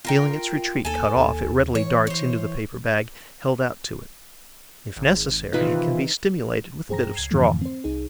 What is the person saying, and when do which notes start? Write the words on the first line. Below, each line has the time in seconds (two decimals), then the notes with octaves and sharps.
Feeling its retreat cut off, it readily darts into the paper bag held out to it; if necessary, it can be stimulated with a bit of straw.
0.05 F4 A#4 G5
0.85 D#2 A4 G#5
1.17 D#2
1.75 E3 C#5
2.07 C5 C#5
4.96 G#1
5.53 C3 D#3 E3 D#4 F4 B4
6.89 G2 G#4 C5 G5 A#5 A#6
7.15 C#2 G#6 C7
7.31 F2 G#2 D3 E3 F3 A3
7.61 C4 C5
7.84 C2 D#4 G#4